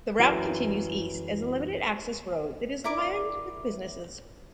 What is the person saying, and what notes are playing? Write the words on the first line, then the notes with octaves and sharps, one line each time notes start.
The route continues east as a limited access road that is lined with businesses.
F#2 E3 F#3
E4 A#4 D5 D6